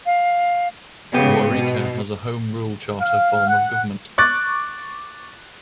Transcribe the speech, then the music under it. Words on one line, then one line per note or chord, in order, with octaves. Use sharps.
Waurika has a home rule charter form of government.
F5
G#2 C#3 B3 G4
B2
F5
F#5
C#6 D6 F#6 A6